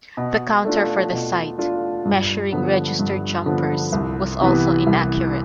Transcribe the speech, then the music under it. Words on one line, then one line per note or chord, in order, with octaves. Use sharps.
The counter for the site, measuring registered jumpers, was also inaccurate.
B2
A3 D4 F4
B2
A3 D4 F4
G2
D3 F3 B3
G2
D3 F3 B3
C2
C3 E3 B3
C2